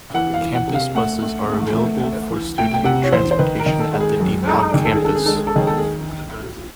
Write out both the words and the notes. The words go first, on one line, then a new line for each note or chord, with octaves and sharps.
Campus buses are available for student transportation at the Depok campus.
E3 F#5
F5
E3
F#5
C3
F5
A3 F#5
A3
A3
A3
A3
E3
A3 G5
G5
C3 F#5
C#5
E2 C5
C5
D#3 B4
A#4
D#3
A4
G#3
G#4
F#2 G#4
G#3 A4
D#3 G#4
A4
G#4
G#3 A4
G#4
G#3 A4
G#4
A4
D#3 G#4
A4
G#4